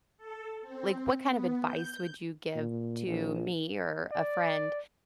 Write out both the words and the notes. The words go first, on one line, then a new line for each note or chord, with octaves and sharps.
like, what kind of advice would you give to me or a friend
A4
C4
B3
G6
A#2
A#1
D5